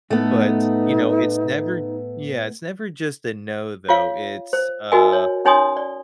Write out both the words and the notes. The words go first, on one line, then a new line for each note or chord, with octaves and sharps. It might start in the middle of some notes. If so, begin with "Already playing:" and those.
But, you know, it's never yeah, it's never just a "no," though. It's, uh
A2 A3 B3 D#4
F4 C#5 F5
C5
D#4 F#4 A#4 D#5 G#5
C#5
C#4 D#4 C#5 G#5 C6 D#6
D5